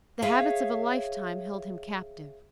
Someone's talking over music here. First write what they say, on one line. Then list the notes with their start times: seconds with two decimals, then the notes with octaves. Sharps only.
The habits of a lifetime held him captive.
0.22 G#4 C#5 E5 F5